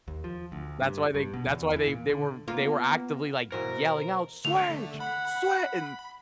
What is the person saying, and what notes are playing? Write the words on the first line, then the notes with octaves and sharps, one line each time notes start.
That's why they that's why they they were they were actively like yelling out, "Switch, swi" and
D#2
F3
D2
G2
G2
B2
E2
E3
A#2
D3
A#3 B3 F4
B2 E3 A#3 A#4 C5
D3 A3 F7
F#5 B5